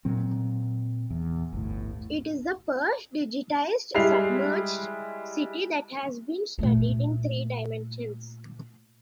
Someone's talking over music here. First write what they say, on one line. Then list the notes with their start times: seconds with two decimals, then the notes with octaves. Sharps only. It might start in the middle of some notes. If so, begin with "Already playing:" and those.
It is the first digitized submerged city that has been studied in three dimensions.
0.05 A#2 F#3 C4
1.10 E2
1.53 G1 D2 A2
3.95 G3 G#3 E4 C7 F7
6.59 A#2 A3